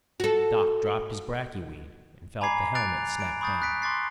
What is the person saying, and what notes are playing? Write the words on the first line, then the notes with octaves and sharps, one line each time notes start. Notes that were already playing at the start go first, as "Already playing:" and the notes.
Doc dropped his bracky weed and felt the helmet snap down.
F#4 A4
G#5 A#5 B5 D6 G#6 C7
D6 F#6 A6 D7 F7
D7
B5 C#6 D#6 G6 A6 C7
F#6 A6 B6 D7
C6 D6 A6 C7